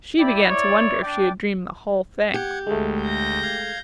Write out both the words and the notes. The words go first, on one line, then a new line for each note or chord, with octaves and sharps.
She began to wonder if she had dreamed the whole thing.
E4 G4 D5 B5
E4 C#5 D5
D4 D5 G5
G4 F#5 G#6
D2 G#3 A3
G6 A#6
F5 G#6